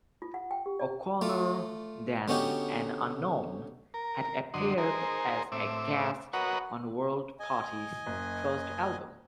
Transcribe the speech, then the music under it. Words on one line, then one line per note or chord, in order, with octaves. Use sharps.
O'Connor, then an unknown, had appeared as a guest on World Party's first album.
F4
F#5
G5
G4
D5
A3 F4 D5
D3 B3 C#4 D#4 F#4 G4
A#4
F#2 D3 D#5 C6
D#4 G#4 A#4 C5
A2 C4 E5 D6
F#4 A#4 B4 C#5 D#5 F#5
D#5 G#5
F#1